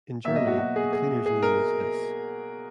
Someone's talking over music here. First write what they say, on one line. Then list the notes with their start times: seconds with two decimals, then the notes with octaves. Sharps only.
In Germany, the cleaner's name is Viss.
0.24 B2 F#3 A#3 E5
0.36 D#5
0.47 F#4
0.58 F#4
0.76 G#4
0.93 G#4
1.26 G#4
1.42 A#4